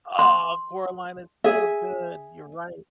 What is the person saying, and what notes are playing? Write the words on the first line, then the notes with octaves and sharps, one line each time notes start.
Oh, Coraline is so good, you're right.
C6
G#4 E5